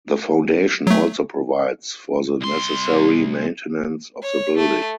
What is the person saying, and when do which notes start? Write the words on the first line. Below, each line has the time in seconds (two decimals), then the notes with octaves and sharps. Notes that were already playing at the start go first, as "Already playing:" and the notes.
The foundation also provides for the necessary maintenance of the building.
0.87 F#3 A3
2.41 C2 C6
4.22 C#5
4.57 A3